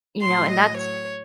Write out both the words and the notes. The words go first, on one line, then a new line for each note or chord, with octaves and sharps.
you know, and that's
A2 F#3 C6
D#5
C#5